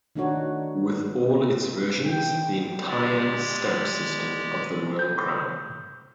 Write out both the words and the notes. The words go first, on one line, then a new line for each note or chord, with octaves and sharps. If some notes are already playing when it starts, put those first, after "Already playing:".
With all its versions, the entire stamp system of the Royal Crown.
D#3 A3 D4 D#4 F#4 C#5
G5
G#3 G4 D5
G6